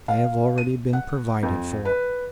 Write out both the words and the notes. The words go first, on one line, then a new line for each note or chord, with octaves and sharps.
They have already been provided for.
F5
D#7
F#5
F2
B4